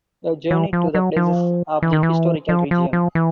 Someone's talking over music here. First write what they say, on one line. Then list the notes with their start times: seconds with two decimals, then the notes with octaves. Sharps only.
A journey to the places of the historical region.
0.51 E3
0.73 F3
0.95 F#3
1.17 F3
1.82 E3
1.93 D#3
2.03 E3
2.49 F3
2.71 F3
2.93 F3
3.15 E3